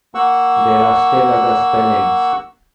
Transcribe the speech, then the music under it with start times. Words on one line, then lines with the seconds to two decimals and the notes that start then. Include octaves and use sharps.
There are still other spellings.
0.15 A#3 F#5 C#6 E6